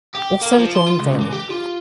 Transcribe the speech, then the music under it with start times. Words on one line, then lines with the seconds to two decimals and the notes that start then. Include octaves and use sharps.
Also drawn daily.
0.15 G4
0.41 A#3
0.58 F3
0.75 C6
0.86 F4
0.99 C#2
1.21 E3
1.32 G4
1.50 F4